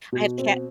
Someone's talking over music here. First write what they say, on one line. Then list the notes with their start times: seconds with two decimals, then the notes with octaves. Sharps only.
I have ke
0.12 B2
0.38 C4